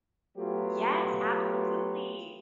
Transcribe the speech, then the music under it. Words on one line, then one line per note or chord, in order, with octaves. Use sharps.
Yes, absolutely.
F#3 A3 B3 F4 G4